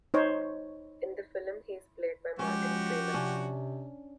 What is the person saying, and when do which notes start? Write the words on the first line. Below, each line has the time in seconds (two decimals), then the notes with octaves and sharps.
In the film he is played by Martin Freeman.
0.14 D#4 C5 C#5
2.39 F3 G#3 C#4 F#4 G4
3.14 C3 C#4 D4